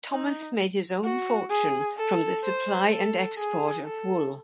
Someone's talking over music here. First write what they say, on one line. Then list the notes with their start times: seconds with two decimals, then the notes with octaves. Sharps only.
Thomas made his own fortune from the supply and export of wool.
0.10 D#4
1.04 F#4
1.50 G#4
1.98 A4
2.44 C5
2.91 A4
3.38 G#4
3.84 A4